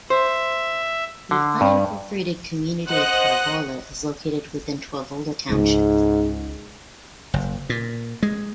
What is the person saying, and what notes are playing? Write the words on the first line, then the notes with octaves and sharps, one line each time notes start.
The unincorporated community of Toivola is located within Toivola Township.
C5 E5
D3
G2
C5 D#5 F#5 F#6
C#2 G#2 C#3
F#1
A#2
G#3